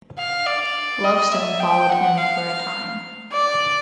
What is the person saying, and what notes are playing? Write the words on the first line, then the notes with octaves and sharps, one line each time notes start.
Lovestone followed him for a time.
F5
D5
D#5
E5
G5
F#5
F5
D5